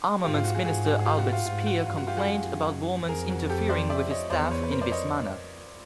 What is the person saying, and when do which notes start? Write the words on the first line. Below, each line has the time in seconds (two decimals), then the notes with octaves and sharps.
Armaments Minister Albert Speer complained about Bormann's interfering with his staff in this manner.
0.24 G#2 F4 G4
0.34 F4
0.44 F#4
0.55 F#4 G#4
0.65 G#2 F#4 G#4
0.85 F#4 G#4
1.00 G#4
1.05 F4 G4
1.19 F#4
1.32 F4
1.46 G#2 F4
1.66 F#4
1.87 G2 F4
1.97 F#4
2.07 F4 G4
2.17 F#4 G#4
2.27 F#2
3.08 F2 G#4 A#4
3.29 F#4
3.49 G4 A4
3.69 C5 D5
3.90 D5 E5
4.10 C#5 D#5
4.30 E2 C5 D5
4.51 B4 C#5
4.63 B4
4.71 F2 A#4 C5
4.81 C5 D5
4.91 C#5 D#5